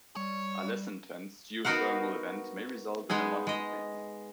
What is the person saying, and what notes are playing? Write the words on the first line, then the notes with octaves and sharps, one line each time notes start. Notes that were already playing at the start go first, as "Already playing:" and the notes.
A less intense geothermal event may result in a mud volcano.
G3 C#5
B3 D#4 F#4 A#4 F5 F#5
G#3 B3 D#4 G#4
G#3 D#5